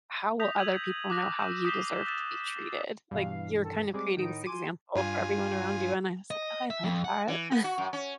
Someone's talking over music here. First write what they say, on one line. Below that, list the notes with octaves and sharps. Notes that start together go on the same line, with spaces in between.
how will other people know how you deserve to be treated?" Like, you're kind of creating this example for everyone around you and I was like, "Oh, I like that."
D#6 G6 A#6 B6 F7
E6 G#6 D#7 F7 F#7
D6 D#6 F#6 G#6 A#6 B6
E6 G6 D#7 E7
D#6 G6 B6 C7 E7 G7
E6 F#6 A6 E7
G2 B2 E3 F5
D#3 C#4 A4
G3 G#3 C4 D6
A2 D#3 D#4 D7
F#4 G#5 C6 D6 D#7
G2 F4 G#5
D#5
E5
F2
F#5
E3
B3
F#4
F#2
C#4